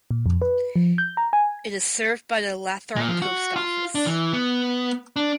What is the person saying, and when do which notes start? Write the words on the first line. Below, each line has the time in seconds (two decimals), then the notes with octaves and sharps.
It is served by the Lathrop post office.
0.11 A#2
0.26 F2
0.42 B4
0.76 F3
0.98 G6
1.17 A#5
1.33 G#5
2.96 A#2
3.08 F3
3.22 F#4
3.56 F4
3.95 D4
4.06 E3
4.33 B3
5.16 D4